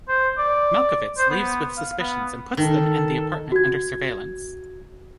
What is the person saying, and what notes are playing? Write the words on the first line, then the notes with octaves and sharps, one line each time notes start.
Melkowitz leaves with suspicions and puts them and the apartment under surveillance.
C5
D5
C5
B3
F5
B3
D#3 A4
F#4 G#6